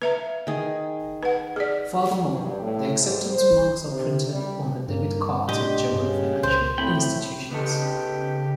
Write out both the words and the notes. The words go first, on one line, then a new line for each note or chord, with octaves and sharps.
Furthermore, the acceptance marks are printed on the debit cards of German financial institutions.
B4 E5 F5 A#5
D#3 G#4
B4 F#5
G#4 D5
G2
A2
G#2
C5
C3
G3
G2 A#3
A2 D4 G4 D#5 C6
G2 C#3
C#2 C5
A2 C4 G5 B5
C#3 B3 D#4 G4 A4